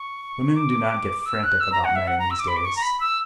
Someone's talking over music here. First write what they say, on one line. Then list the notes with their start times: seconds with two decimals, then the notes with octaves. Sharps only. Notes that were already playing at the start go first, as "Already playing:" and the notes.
Women do not get frantic about men in these days.
Already playing: C#6
0.56 D6
1.25 E6
1.43 F#6
1.60 E6
1.72 A#5
1.84 F#5
1.96 E5
2.07 F#5
2.19 A#5
2.30 E6
2.39 D6
2.47 B5
2.56 D6
2.65 C#6
2.76 A#5
2.82 B5
3.00 E6